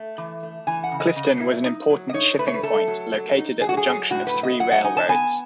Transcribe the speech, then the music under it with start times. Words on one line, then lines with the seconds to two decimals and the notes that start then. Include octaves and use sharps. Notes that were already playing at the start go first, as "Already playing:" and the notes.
Clifton was an important shipping point located at the junction of three railroads.
Already playing: A3
0.18 E3
0.43 A3
0.67 E3 G#5
0.84 F#5
0.92 C#3
1.00 D#5
1.16 C#3
1.40 E4
1.65 D#4
1.90 F#3
2.09 D#5
2.14 D#4 C#5
2.39 A3 B4
2.47 C#5
2.54 B4
2.63 A3 A4
2.88 F#3
3.13 F#3
3.38 D#4
3.61 F#3 G#4
3.69 F#4
3.77 G#4
3.86 F#3
4.10 A2 F#4
4.27 B4
4.35 F#3
4.43 D#5
4.60 F#3 F#5
4.71 F#5
4.84 D#4 G#5
4.97 A5
5.08 B3 G#5